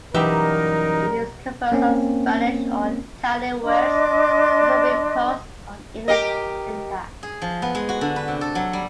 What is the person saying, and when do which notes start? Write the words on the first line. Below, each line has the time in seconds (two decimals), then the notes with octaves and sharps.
It is composed of Spanish or Italian words superimposed on English syntax.
0.14 F#2 B2 E3 G3 D#4 G4 A#4 E5
1.72 A#3 C4 C#4
3.62 D4 D#5 C6 D6
6.08 G4 A#4 D#5
7.23 G#4
7.42 F3
7.62 B3
7.75 G#3
7.89 F#4
8.01 D3
8.16 B4
8.28 C3
8.41 A4
8.55 F#3
8.73 G3